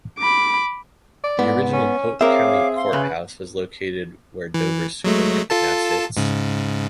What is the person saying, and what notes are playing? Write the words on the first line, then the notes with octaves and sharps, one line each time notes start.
The original Pope County Courthouse was located where Dover Supermarket now sits.
B5 D6
D5
G#2 B3
C#4
C4 G#4 A#4 C#5 E5 F5 D6
F5 C6
C#3 B4
E3
F#3 G#3 A3
F4 A4 A5
G#2 C#3